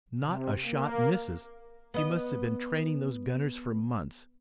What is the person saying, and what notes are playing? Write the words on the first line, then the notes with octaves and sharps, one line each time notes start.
Not a shot misses! He must have been training those gunners for months!
C3
A#3
B3 D#5